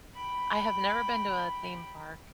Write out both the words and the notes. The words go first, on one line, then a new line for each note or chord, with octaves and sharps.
I have never been to a theme park.
G5 B5